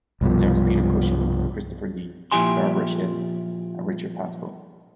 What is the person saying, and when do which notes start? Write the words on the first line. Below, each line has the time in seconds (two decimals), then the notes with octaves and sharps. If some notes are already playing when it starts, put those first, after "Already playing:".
It stars Peter Cushing, Christopher Lee, Barbara Shelley and Richard Pasco.
0.21 C2 G2 B2 F3
2.31 A#2 F3 E4 G4 G#5 C6